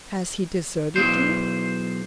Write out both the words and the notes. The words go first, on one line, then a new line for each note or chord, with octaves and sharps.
"Has he deserted you?"
B1 E2 C5